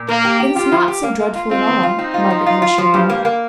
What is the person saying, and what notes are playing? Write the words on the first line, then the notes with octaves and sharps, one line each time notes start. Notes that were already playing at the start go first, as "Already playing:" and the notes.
"It is not so dreadful at all," Margaret had assured them.
Already playing: A#2
A#3 A#4
G4
G4
F4 G4
F3
G4
A#3
A#3
F4
C4 F4
D#3
F4
C4 D#4
F4
F3
F4
F4
F3
G2 G4
A#3
A#3